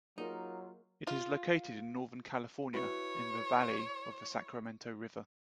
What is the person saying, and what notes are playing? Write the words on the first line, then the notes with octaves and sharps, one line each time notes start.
It is located in northern California, in the valley of the Sacramento River.
F#3 A#3 D#4 F4 G#4 A#4
F4
E4 F#4 B4 C#5